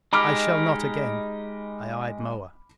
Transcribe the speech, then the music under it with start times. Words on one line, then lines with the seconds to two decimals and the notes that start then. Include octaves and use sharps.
"I shall not again." I eyed Moa.
0.13 G#3 D#4 G4 B5 D6 F6